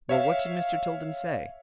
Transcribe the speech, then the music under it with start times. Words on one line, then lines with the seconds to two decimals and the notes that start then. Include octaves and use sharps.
"Well, what did Mr. Tilden say?"
0.09 C#5 E5 F5